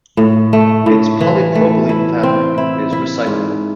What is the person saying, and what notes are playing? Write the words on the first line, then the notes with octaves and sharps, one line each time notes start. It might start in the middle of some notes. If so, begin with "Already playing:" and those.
Its polypropylene fabric is recyclable.
A2
A3
A2
E3
A3
E4
C4
E4
E4
G#2